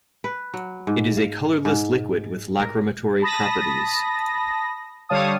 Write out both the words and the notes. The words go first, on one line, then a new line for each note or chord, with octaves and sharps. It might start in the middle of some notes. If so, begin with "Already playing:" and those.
It is a colorless liquid with lacrymatory properties.
B4
F#3
G#2
F5
G#2
A#4
A5 B5 D#6 A#6
D3 G3 C#5 F5 A5 D#6